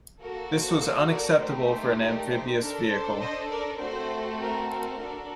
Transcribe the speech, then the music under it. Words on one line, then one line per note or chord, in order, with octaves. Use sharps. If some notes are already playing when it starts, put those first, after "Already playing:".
This was unacceptable for an amphibious vehicle.
A#3 F#4 A4 A#4
C5
C5
A#4 D5
A3 D#4 G4 C5
C5
A#4 D5
C5
D4 A4 A#4
C5
C5 D#5
A#4 D5
A3 C4 F#4 A4 C5
A#4
A#4
D4 F#4 A4